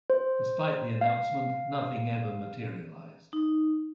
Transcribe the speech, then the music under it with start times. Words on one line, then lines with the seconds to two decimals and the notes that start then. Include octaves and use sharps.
Despite the announcement, nothing ever materialized.
0.10 C5
1.01 F5
3.33 D#4